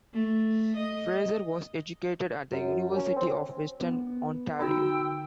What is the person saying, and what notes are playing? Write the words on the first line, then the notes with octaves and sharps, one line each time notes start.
Fraser was educated at the University of Western Ontario.
A3
D#5
F#2
C#4
C4
B3
D3 D#4 F#4 G5 E6